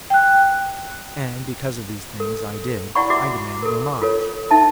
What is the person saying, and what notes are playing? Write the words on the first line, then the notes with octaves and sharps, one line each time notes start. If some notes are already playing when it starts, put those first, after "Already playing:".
And, because of these things I did, I demanded homage.
G5 F#6
A4
E4 D5 F#5 G5 B5 C#6
F#4 E5 D6
A4 A#4
F4 A4 C#5
D#4 E5 A5